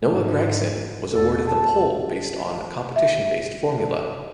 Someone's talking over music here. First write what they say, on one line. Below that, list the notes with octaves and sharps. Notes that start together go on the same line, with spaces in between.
Noah Gragson was awarded the pole based on competition based formula.
G#2
E2 A4
A5
E5